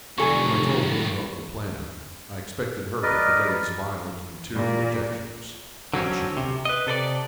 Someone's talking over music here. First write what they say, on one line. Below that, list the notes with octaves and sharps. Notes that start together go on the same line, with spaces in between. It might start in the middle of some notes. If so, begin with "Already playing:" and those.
When I told Wilma of the plan, I expected her to raise violent and tearful objections, but she didn't.
F1 D#3 F#3 D4 A4 G#5 C#6
A#4 B4 D5 D#5
A#2
D3 F#3 C4 C#4
C3
B4 D#5
C3 A4 B4 D5